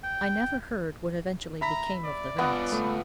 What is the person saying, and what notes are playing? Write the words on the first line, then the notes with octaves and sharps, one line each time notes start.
I never heard what eventually became of the rats.
G5
E5 A#5 B5 B6
D5
B3 F4 B4
A3